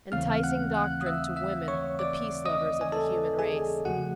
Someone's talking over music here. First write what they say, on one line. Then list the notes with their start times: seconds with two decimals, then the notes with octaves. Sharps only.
Enticing doctrine to women-the peace lovers of the human race.
0.12 D#2 C#3 E3 A3 C4 F5 F6
0.44 F#5 F#6
0.74 F#5 F#6
1.01 D#6
1.06 E5 E6
1.36 E5 E6
1.68 C#5 C#6
1.99 D5 D6
2.46 D#5 D#6
2.81 G#5
2.92 A4 A5
3.39 G#4 G#5
3.85 E2 C#3 F3 A3 F#4 F#5